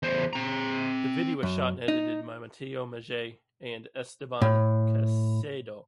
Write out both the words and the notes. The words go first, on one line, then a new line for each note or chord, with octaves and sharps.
The video was shot and edited by Mateo Mejia and Esteban Caicedo.
E2 C5
C4 A#5
F#2
D#4
A2